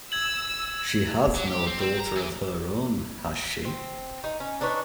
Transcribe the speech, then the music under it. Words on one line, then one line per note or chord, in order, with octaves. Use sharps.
She has no daughter of her own, has she?
E6 G#6 F#7
F#3
G4
C4
C4
A#5
E3
C4
D#4
C#4
D4 D#4 B4 C#5